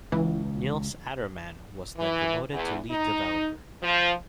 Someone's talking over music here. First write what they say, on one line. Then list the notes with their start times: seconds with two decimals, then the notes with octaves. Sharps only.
Nils Adermann was then promoted to Lead Developer.
0.12 C#2 E3
1.98 E3
2.52 E2
2.91 D#4
3.83 F3